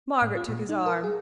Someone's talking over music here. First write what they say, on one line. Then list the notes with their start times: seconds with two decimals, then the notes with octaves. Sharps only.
Margaret took his arm.
0.22 A2
0.37 F4
0.49 A#2
0.69 D#4
0.86 A#4
1.04 G#4